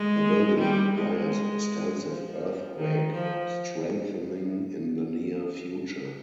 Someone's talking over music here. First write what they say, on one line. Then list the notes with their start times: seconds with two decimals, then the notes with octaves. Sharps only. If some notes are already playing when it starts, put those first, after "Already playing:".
The building requires extensive earthquake strengthening in the near future.
Already playing: G#3
0.58 G3
0.95 G#3
2.03 F3
2.76 D#3
3.12 F3